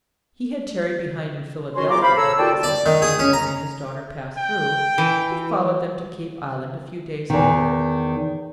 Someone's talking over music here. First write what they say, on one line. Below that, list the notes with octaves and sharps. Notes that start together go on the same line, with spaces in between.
He had tarried behind in Philadelphia, as Mr. Dinsmore and his daughter passed through, but followed them to Cape Island a few days later.
C#4 F#4 G#5 C6
E2 F4 A#5 D6
C5 F5 B5
A4 C#5 A#5 E6
D#2 F4 F#4 D5 G5 A5
D5
D#3
G#4
C#4
A#5
G5
E3
E2 D#3